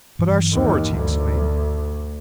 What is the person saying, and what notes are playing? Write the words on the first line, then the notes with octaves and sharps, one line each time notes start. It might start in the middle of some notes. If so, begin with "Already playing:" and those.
"But our swords!" he exclaimed.
G2 E3 F#3
D#2
D2